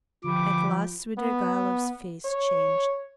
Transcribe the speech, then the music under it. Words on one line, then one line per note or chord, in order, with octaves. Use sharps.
At last Svidrigailov's face changed.
D3 F3 G4 B5 D6
B3
C#5